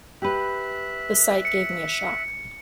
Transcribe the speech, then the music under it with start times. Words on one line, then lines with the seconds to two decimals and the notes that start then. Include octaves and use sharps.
The sight gave me a shock.
0.22 G4 B4 E5 F#6
1.45 C#7